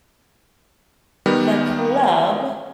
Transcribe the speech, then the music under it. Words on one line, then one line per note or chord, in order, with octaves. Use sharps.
the club,
D#3 G3 B3